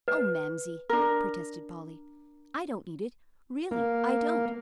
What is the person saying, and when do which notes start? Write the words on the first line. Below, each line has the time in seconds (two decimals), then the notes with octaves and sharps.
"Oh, Mamsie," protested Polly, "I don't need it; really, I don't."
0.08 B4
0.89 D4 A#4
3.71 A#3